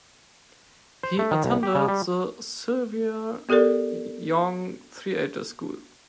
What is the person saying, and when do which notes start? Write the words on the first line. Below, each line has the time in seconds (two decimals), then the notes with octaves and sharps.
He attended the Sylvia Young Theatre School.
1.03 C5
1.19 A3
1.31 D#3
1.44 C2
1.63 G4
1.75 C#3
1.88 G3
3.49 B3 G4 A4 A#4 D5